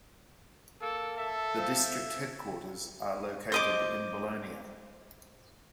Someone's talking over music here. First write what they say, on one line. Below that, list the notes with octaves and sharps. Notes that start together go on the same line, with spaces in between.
The district headquarters are located at Belonia.
A#3 A4
A4 E5
F3 E5
C5 D#5 D6